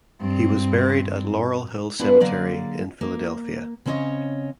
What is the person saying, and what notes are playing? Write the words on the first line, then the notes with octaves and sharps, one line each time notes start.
He was buried at Laurel Hill Cemetery in Philadelphia.
G2 C4
B3 D4 E4 F4 G#4 B4
D3 F#3 A#3 G#4 D5 F#5
A#3
C#3 C4 C#4 C#5 D#5